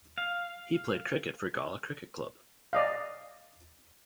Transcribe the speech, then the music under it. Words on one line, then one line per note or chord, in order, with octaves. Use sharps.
He played cricket for Gala cricket club.
F5
D5 D#5 F5